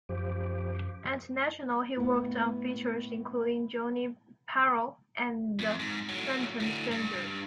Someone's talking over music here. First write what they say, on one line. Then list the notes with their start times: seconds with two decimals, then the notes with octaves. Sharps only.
At National, he worked on features including "Johnny Peril" and "The Phantom Stranger".
0.09 F#2 F3 G4
1.97 A2 B3
5.59 F2
5.80 G#2
6.09 A2 F#3
6.60 A2 D3
6.91 G2